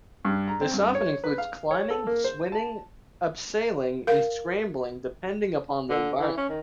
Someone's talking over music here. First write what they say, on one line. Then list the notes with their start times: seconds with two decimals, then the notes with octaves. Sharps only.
This often includes climbing, swimming, abseiling and scrambling depending upon the environment.
0.25 G2
0.48 A#5
0.61 C4
0.73 G2
0.95 C#5
1.24 B4
1.38 F5
1.71 C#5
1.90 A4
2.07 A#3
2.24 C5
2.52 A5
4.07 A#4 F5
5.90 D3
6.20 E3
6.37 C#4
6.49 D#3